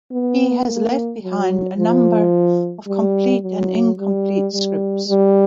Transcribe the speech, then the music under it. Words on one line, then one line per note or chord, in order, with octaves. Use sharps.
He has left behind a number of complete and incomplete scripts.
B3
A#3
F#3
F3
G3
F#3
G3
G3
G3